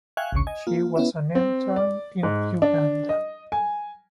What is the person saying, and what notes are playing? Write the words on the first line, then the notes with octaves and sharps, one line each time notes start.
She was an intern in Uganda.
E5 F5 G5 G#5 C#6 F#6
A1 D2 C#3 C#6
D#5 G#5
A#3 F4
B3 C#4 E4 E5
C4
D5
G#2
D4
D#5
G#5